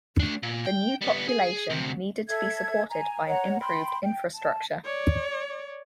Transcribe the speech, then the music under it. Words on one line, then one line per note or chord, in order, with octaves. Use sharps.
The new population needed to be supported by an improved infrastructure.
A3 D4
A#2
G5
G3 B3
G#4
D2 C3
A4 E5 G#6
G#5 A#5
C#5 F#5 A#5
G5 B5 C6
G5
A5
C#5 D5